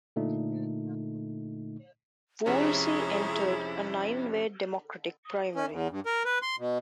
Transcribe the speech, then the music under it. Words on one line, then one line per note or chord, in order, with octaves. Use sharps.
Woolsey entered a nine-way Democratic primary.
A#2 D3 A3 D#4
F2 C3 G#3 C#4 E4 G#4 C#5 A#5
C#4
E2
G2
A#4
B4
C6
B2